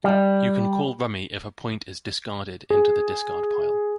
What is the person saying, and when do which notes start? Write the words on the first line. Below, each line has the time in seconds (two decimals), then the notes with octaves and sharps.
You can call rummy if a point is discarded into the discard pile.
0.04 G3
2.70 G#4